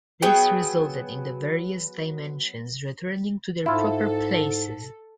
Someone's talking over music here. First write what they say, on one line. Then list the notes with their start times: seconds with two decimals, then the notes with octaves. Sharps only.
This resulted in the various dimensions returning to their proper places.
0.22 F#3 B3 G#4 G5
3.66 G#2 E4 F4 A4